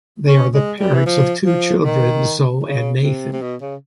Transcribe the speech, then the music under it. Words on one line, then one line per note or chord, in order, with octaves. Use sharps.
They are the parents of two children, Zoe and Nathan.
C#4
G#3
G3
E3
F3
F3
D#3
C#3
C3
C3
B2
C#3